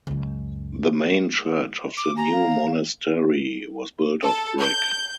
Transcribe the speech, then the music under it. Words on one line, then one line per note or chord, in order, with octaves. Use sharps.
The main church of the new monastery was built of brick.
C#2 F#2
D6
G#5 A#5
F5
A4
G6